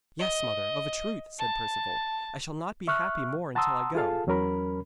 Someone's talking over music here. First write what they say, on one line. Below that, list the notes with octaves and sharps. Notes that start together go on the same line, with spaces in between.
'Yes, mother, of a truth,' said Perceval. 'I shall not be happy more until I go.'
D#5
A5
E5 C#6 F6 F#6
F#5 A5 A#5 C6 D#6 E6
F4 G#4 A4 F5 A5
E2 F#3 C#4 A#4 B5